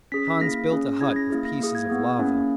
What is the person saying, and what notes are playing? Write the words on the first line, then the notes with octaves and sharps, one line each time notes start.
Hans built a hut of pieces of lava.
C#4 G#4 B6
B6
A#3 E4 G#4 A#6
C#4 G#4
C#4 E4 G#4 G#6
A#6
A#3 E4 G#4
A#6
A#3 E4 G#4
G#6
B3 E4 G#4
A#3 C#4 E4 G#4